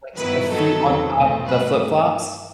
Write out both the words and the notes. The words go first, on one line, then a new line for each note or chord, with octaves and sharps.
like, the feet on top of the flip flops?
G2 D#3 F#3 B3 E4 B4
D#3 F#3 B3 D#4 A4
E2 C3 D#3 F#3 C4
E2 B2 A3 C4
G2 F#3 A3 B4